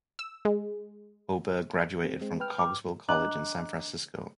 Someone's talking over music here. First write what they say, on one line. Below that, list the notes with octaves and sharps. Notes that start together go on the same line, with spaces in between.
Hoberg graduated from Cogswell College in San Francisco.
E6
G#3
C4
G#3 C4
B4 G5 F6
D6
D4 D#5 A#5 D6 F#6 F#7